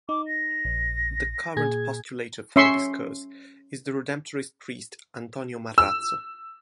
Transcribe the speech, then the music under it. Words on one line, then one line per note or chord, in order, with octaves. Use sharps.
The current postulator for this cause is the Redemptorist priest Antonio Marrazzo.
D#4 D6
A#6
A#1
A#2 G#4 G#6
C#4 E5 C6 C#6
E6